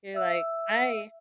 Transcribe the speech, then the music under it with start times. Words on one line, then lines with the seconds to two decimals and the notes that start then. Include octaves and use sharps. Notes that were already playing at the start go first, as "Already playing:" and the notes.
You're like, "I
0.14 E5 E6